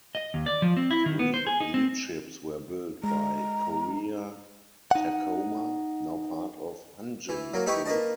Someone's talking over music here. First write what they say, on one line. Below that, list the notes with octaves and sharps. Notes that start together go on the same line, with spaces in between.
Three lead ships were built by Korea Tacoma, now part of Hanjin Group.
D#5
D#2
D5
F3
C4
E4
D#3
B3
C5
G#4
D#4
C4
G#3 A#5
D#4 F#5
E3
F#3 A#3
D#4 E4 G4 B4 G5 C#6
A#3 B4 D#5 A5